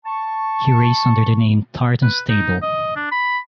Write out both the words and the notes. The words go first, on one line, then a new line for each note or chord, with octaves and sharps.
He raced under the name Tartan Stable.
A5 C#6
B4
D#4
D#5
D4
B5